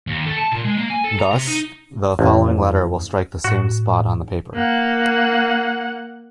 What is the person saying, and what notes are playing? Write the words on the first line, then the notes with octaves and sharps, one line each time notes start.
Thus, the following letter will strike the same spot on the paper.
D#2
A3
A5
A#2
G#3
A#3
G#5
A4
A#5
C3
D#4
A1 F2
A2 F#4
A#3 F#5